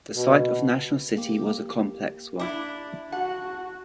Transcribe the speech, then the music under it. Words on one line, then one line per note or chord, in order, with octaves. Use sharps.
The site of National City was a complex one.
B2
A#3 G4
D4 E4
F#4 F#5 A5